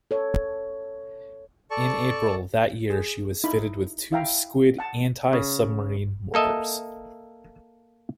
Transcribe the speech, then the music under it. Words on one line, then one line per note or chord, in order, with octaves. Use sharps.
In April that year she was fitted with two Squid anti-submarine mortars.
A4 C#5
A4 D5 A5 C#6
G#4
D#4 E4 B5
E4 E5 F5 G5 A#5
F#5 A5
C#3
A#3 A4 D#5 E5 A5